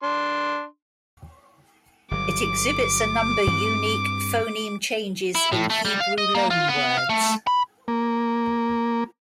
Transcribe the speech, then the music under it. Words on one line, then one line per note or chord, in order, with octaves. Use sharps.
It exhibits a number unique phoneme changes in Hebrew loanwords.
D4 C6
G1 F#3 D6
G2 C4
E4
A2
A3
G3
F5
D#5
A#3
F4
B3
F5
A3
B5
A#3